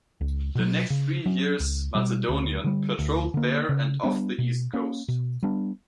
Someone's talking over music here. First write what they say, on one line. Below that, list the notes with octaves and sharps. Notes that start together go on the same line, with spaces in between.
The next three years "Macedonian" patrolled there and off the East Coast.
C#2
B2 F#3
C#3
F#3 C#4
C#2
B2 G3
D2
D3 G3
D2
D3 A#3
C#3
G3 B3 D4
B2
A#3 C#4
B2
G3 B3 D4